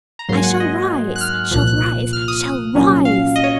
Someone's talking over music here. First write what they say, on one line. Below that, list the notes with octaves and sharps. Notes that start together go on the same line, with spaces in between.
I shall rise... shall rise... shall rise.
A#5
G#2 F#3 A#3 C6
G#5
F#5
D#5
F#6
F6
C2 A#2 F3 F#6
F#6
F6
D#6
C2 A#2 F#3 C#4
F5
D#5
C#5